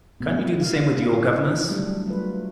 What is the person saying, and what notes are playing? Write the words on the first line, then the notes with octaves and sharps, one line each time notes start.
Can't you do the same with your governess?
B2 A3 B3
F5
E4 F4 F5
C#5
F#3 G3 A3 D4
F#3 A3 F4 B4